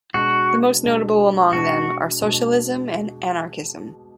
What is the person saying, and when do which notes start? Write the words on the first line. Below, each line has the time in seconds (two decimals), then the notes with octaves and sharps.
The most notable among them are socialism and anarchism.
0.14 B2 G#3 D4 F#4
0.84 B2 G#3 D4
1.52 B2 G#3 D4 F#4
2.21 B2 G#3 D4